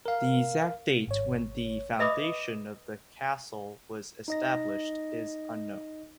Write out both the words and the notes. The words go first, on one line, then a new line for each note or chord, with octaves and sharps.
The exact date when the foundation of the castle was established is unknown.
A#4 F5
G#1 C#5
B4 D#5 E5 B5 D6 D#6
D#4 D#5 A#6